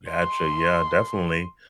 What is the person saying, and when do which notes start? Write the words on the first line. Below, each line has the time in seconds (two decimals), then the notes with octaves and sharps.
Gotcha, yeah, definitely,
0.10 C6